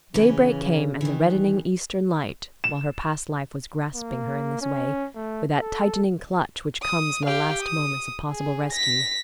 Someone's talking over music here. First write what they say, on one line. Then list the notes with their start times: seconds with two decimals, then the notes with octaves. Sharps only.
Day break came and the reddening eastern light, while her past life was grasping her in this way, with that tightening clutch which comes in the last moments of possible rescue.
0.14 C#3 E3 C#4
1.01 D#3 E3
2.64 E7
3.95 A#3
4.61 C#4
5.15 A3
5.60 A4
6.82 D#6
7.25 G4 F5
7.62 D#6
8.28 G#4
8.71 A#6 B6